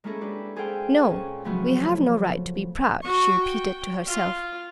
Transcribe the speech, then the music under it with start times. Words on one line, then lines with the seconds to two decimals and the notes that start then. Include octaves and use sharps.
"No, we have no right to be proud," she repeated to herself.
0.04 G#3 A#3 C#4 E4 G#4 A4
0.21 D4 G4 B4
0.56 C4 G#4 A4 C5 F5 G5
1.08 A#2 C#4
1.44 C#3 F3 F#3 A3 B3 C#4
1.84 A5
3.02 F#4 C#6
3.43 G5
4.07 F4